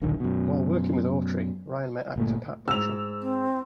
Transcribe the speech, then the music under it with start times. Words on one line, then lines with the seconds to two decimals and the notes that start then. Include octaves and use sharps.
While working with Autry, Ryan met actor Pat Buttram.
0.02 D#1 B1 D3 D#3
0.20 F#2 B2
2.16 G1 A#2 A3
2.68 F2 G#2 E6 F7
3.21 C4